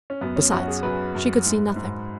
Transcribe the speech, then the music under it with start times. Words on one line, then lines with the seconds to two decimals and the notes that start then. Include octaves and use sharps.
Besides, she could see nothing.
0.10 C#4
0.21 F#2 B3
0.36 C#4
0.52 F#2 F#4
0.68 G#4
0.83 F#2 B4
1.15 F#2
1.46 G#2
1.76 G#2